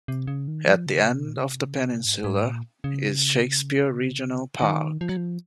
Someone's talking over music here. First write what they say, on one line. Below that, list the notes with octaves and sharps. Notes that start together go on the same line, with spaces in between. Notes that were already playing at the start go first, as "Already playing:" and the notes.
At the end of the peninsula is Shakespear Regional Park.
C3
C#3
D#3
F3
C#3
C3
A#2
C#3
C3
C#3
C3
G#2
F#2
G#2
A#2
C#3
D#3
F3
F#3
F3